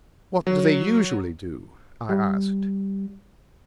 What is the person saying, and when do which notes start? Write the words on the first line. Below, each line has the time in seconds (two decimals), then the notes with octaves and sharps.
"What do they usually do?" I asked.
0.47 F#3
2.09 G3